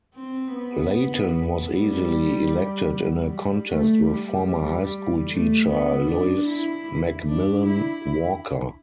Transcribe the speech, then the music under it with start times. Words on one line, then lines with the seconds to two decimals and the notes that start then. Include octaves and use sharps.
Layton was easily elected in a contest with former high school teacher Lois MacMillan-Walker.
0.15 C4
0.54 B3
1.73 G3
2.91 F#3
3.31 G3
3.70 A3
4.10 G3
5.29 A3
5.68 B3
6.07 D4
6.47 E4
7.26 D4
7.65 E4